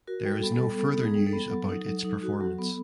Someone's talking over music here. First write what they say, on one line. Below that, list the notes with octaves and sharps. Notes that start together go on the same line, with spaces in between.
There is no further news about its performance.
F#4 A#4
G3
A4
B3
A4
G3
B3 A4
D#4
G#4
G3
A4
B3
F#3
D#4
F#3
D#4
F#4
F#3
B3